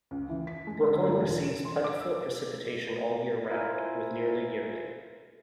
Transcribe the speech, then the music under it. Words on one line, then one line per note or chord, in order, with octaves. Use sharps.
Brooklyn receives plentiful precipitation all year round, with nearly yearly.
C#2
E3
B6
G#3
D3
G3
E1
E7
C6
D6
E6
E4 F4 A#4 C5 E5 G#5